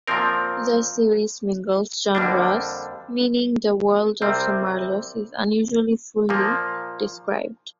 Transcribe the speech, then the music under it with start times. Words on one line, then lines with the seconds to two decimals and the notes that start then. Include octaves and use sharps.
The series mingles genres, meaning the world of the Marlows is unusually fully described.
0.07 A#2 F3 C4 A#4
2.15 F2 D3 G3 A#3 D4
4.22 C2 C3 G3 C4
6.29 A#2 F3 A#3